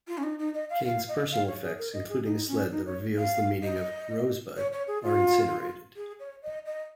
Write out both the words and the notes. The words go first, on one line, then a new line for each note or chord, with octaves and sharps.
Kane's personal effects, including a sled that reveals the meaning of "Rosebud", are incinerated.
F4
C#4
D#4
D#4
D#5
F5
F5
D#5
F5
C#5
G#4
A#4
D#5
G#4
D#4
C#4
D#4
C#5
F5
D#5
C#5
C#5
G#4
F4
G#4
C#5
D#5
D#5